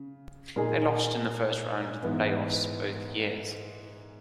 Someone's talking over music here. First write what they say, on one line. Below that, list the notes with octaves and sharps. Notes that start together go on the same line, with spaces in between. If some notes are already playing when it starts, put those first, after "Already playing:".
They lost in the first round of the play-offs both years.
Already playing: C#3
A#2 A#3 D#4 G#4
G#2 E3 B3